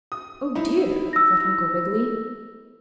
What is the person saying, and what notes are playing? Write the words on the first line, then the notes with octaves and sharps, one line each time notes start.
"Oh, dear!" thought Uncle Wiggily.
D#6
D#4 E4
E6 A#6